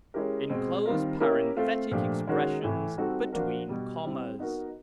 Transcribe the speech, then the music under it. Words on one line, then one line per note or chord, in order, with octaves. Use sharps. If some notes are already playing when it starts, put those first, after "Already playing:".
Enclose parenthetic expressions between commas.
G#3 C#4 E4 G4 A#4
B2 G#3 C4
D#3 G3 C4 F4 A#4
A#3 C#4 E4 G4 A#4
A3 C4 F4 A4
A#2 F3 A3 D4 G4
D#3 G#3 C#4 F#4 A#4
A2 E3 A3
G3 C4 D#4 F#4 A4
F3 A#3 D4 F#4 A#4
B2 G3 B3
G3 C4 E4
B3 D#4 F#4 A#4